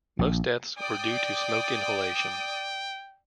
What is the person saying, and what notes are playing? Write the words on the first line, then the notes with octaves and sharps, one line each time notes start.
Most deaths were due to smoke inhalation.
A#1
D5 G5 D6 D#6